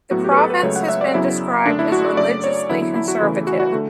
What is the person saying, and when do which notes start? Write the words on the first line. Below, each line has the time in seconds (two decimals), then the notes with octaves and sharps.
The province has been described as "religiously conservative".
0.11 A2 F#3 B3 F#4
0.24 G4
0.32 B4
0.37 A4
0.50 B4
0.63 C#2 C#3 F#3 A3 C#5
0.76 F#5
0.88 E5
1.01 D5
1.14 F#2 C#3 F#3 B3 E4
1.66 F#2 D3 A3 D4
1.79 E4
1.92 F#4
2.05 D5
2.17 F#2 C#3 F#3 A3 D5
2.44 C#5
2.69 E2 D3 F#3 B3 E4
2.82 E4
2.95 E4
3.08 F#4
3.21 E2 C#3 E3 A3 E4
3.47 F#4
3.60 F#4
3.72 D3 A3